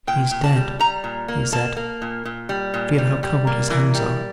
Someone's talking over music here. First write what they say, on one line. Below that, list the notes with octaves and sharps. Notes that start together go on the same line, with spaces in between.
"He's dead," he said; "feel how cold his hands are."
A#2 G5
A#2
A5
G3
G3 A#5
A#2
A#3
A#3 A5
A#3
A#2
A#2
G3
A#2
G3
G3
A#3
E3 A#4
G3